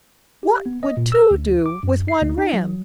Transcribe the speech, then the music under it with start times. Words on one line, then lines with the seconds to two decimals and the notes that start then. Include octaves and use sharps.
What would two do with one ram?
0.43 G4
0.66 B3
0.83 D#5
0.97 A#2
1.12 E6
1.31 D2
1.66 D6
1.83 F#2
2.08 C7
2.22 D2
2.38 D#4
2.53 F#3